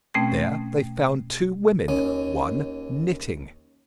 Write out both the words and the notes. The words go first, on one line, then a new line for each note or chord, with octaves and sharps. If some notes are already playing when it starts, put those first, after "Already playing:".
There, they found two women; one, knitting.
B2 A3 C4 C#4 G5 G#6
D#2 C#4